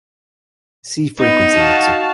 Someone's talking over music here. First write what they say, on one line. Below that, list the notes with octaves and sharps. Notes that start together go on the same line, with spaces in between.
See Frequency mixer.
B3 D#4
F#4 F5 A5